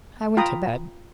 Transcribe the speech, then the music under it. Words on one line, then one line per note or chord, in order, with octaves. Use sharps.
I went to bed.
F4 G5 A#5 B5 D#6